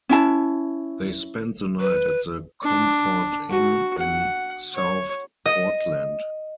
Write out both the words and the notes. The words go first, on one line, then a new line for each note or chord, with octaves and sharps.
They spent the night at the Comfort Inn in South Portland.
C#4 E4 A5
B4
D4
F#4
F#5
C#5
D#5